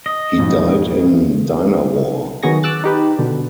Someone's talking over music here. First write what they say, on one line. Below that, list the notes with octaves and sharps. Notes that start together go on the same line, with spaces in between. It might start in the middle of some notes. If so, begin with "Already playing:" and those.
He died in Dinawar.
D#5
B1 F2 G#2
D#3 F#3 B3 G#4 C#6 A#6
D6 E6 F#6 A6
D#4 G4 B4
B2 D3